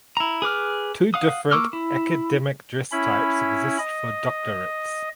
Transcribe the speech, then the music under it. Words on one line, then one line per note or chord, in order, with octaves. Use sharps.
Two different academic dress types exist for doctorates.
E4 A#5
G#4 B4 D6 F6
F5 F#5 D#6
A#3 C#6 D6 E6 F6
E4
C#4 E4 B5
D#5